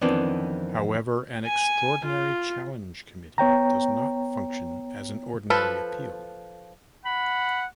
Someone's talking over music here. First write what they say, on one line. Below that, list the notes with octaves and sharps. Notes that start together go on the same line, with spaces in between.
However, an extraordinary challenge committee does not function as an ordinary appeal.
F2 D#3 E3 B3 C4 D4
G#5
F4
B3 C#5 G5 A#5
F3 A4 B4
F#5 B5